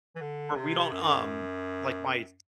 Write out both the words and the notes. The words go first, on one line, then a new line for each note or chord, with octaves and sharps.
where we don't, um, like my
E3
D3
C3
F#2
G2
F#2